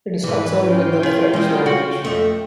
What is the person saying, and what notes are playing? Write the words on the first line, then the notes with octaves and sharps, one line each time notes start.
It is concerned with the French language.
G#2 E3 G#3 E4 B4
C#4 F4 G5
E4 G#4 C#5
G3 G#3
F#4
F2 A3